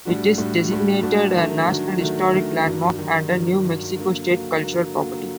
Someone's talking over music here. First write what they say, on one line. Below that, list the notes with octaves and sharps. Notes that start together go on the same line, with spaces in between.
It is designated a National Historic Landmark and a New Mexico State Cultural Property.
A2 G3 D4 F#4
A2 G3 D4 F#4
A2 G3 D4 F#4
A2 G3 D4 F#4
D#3 F#3 A3 D4
D#3 F#3 A3 D4
D#3 F#3 A3 D4
D#3 F#3 A3 D4
G2 D#3 F#3
G2 D#3 F#3
G2 D#3 F#3
G2 D#3 F#3
D3 F#3 A#3
D3 F#3 A#3
D3 F#3 A#3
D3 F#3 A#3